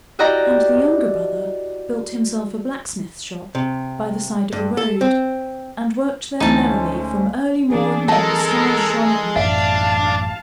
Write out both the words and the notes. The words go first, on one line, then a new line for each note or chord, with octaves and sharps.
And the younger brother built himself a blacksmith's shop by the side of a road and worked there merrily from early morn till the stars shone at night.
E4 F#4 G4 D5 D#5 A#5
C3
G2
A4
C4
D2 E3 G#3 A3 C#4 D#4 C5 A5
E3 C4 D4 G#4
G#3 A4 A#4 D#5 A5
A1 F#2 D4 E5 F5 A5